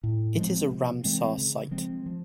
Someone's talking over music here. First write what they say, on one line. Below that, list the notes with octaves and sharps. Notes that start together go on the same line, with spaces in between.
It is a Ramsar site.
A2
F3 G#3 C4
C3
E3 G#3 C4
C#3
F3 G#3 C4
F3